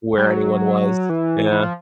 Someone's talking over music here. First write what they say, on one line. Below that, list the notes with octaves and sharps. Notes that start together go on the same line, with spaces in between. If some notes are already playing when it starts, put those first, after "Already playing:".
where anyone was. Yeah.
G3
F#3
E3
E3
F3